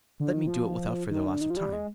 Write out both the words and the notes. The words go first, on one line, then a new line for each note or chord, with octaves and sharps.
Let me do it without further loss of time.
D3
D#3
F3
D#3
D3
D#3
F3
G3
G#3